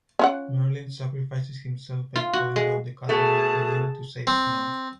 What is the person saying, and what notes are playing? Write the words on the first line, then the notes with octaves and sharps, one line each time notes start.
Merlin sacrifices himself by falling down the castle with Regina to save Snow.
C#4 F4 F#5
F4
F#4
G#3
B2 A3 G#4 A5
C4